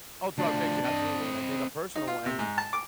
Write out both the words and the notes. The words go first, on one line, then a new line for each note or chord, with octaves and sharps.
All throughout fiction, absolutely. And I think a personal one
D2 F3 D4
C4 D#5
D#4
F4
C3
G#2
A5
D6